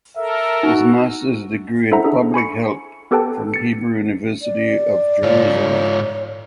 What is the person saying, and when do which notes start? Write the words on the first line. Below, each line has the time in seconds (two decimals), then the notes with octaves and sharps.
His Masters degree in Public Health from Hebrew University of Jerusalem.
0.17 A4 A#4 E5
0.63 D#4 F#4
1.92 E4 A4 C5 E5 F#5 A#5
2.04 D4 G#4 A4
2.34 G#5 B5 C#6 C#7
3.11 B3 G4 A4 B4 G5 A5
3.54 A6 C#7
4.42 D5
5.22 G#2 F4 C#5